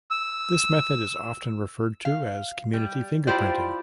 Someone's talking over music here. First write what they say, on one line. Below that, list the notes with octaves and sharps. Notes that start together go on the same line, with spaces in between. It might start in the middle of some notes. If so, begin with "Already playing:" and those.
This method is often referred to as community fingerprinting.
E6
F5
G3
E4 F4 G4 C5 D5